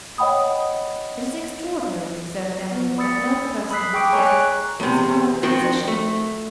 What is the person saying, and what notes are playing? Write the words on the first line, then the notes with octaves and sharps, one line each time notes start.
'It is extraordinary,' observed Emily, 'that no person has yet discovered the musician.'
C#5 D#5 F#5 G5 B5 D#6
B3
D5 B5 D#6 E6 A6 C#7
B5 D#6 E6 F#6 B6 C7
G#4 G5 C#6 D6 D7
C#5 G#5 A#5 C#6
F#6
E2 C3
D#3 F3 C4 F#4
A3